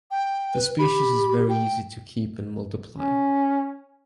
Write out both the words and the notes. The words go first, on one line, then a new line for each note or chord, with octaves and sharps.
The species is very easy to keep and multiply.
G5
B4
G4 B5
G5
C#4